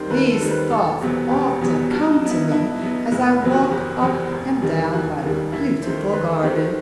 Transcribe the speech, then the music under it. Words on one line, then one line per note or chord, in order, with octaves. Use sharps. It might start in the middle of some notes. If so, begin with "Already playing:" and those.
These thoughts often come to me as I walk up and down my beautiful garden.
Already playing: D#2 D#3 G3 C4 C5
D#2 B4
A4
D#3 G3 C4
B4
E1 A4
E2 C3 F#3 B3
E1 G4
E2 C3 F#3 B3
G2 F#4
D#4
F#3 B3 D#4
E4
G2 E4
E4
F#3 B3
D#4
F#1 E4
E2 C3 F#3 C4
F#4
F#1 G4
E2 C3 F#3 C4
E1
D#2 D#3 G3
E1 F#4
D#2 D#3 G3
D#2 E4
D#3 A3 C4 C5
D#2 B4
A4
G4
D#3 A3 C4
F#4